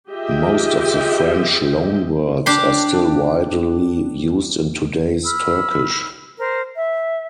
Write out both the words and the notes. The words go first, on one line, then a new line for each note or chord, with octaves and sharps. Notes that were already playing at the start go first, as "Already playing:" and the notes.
Most of the French loanwords are still widely used in today's Turkish.
F4 G4 G#4 D#5 E5 G5
D4 G4 C6
B5 E6 F6
A#4 C5
E5